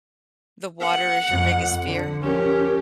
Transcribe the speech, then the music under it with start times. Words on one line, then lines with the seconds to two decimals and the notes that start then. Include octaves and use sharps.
the water is your biggest fear?
0.80 F#5
1.30 F2
1.87 D3
2.22 F3 C#4 G4 A#4